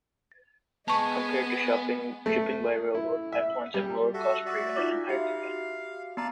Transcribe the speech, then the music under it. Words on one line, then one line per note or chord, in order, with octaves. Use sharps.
Compared to shipping by railroad, pipelines have lower cost per unit and higher capacity.
G#3 B3 G#5 A5 C#6
A3
E4
E5
G3
F#4 A4 E5
F#4 D5 E5
D#4 F4 D6
F#4 G4 E5 F5
B3 D5 F5 A5 A#5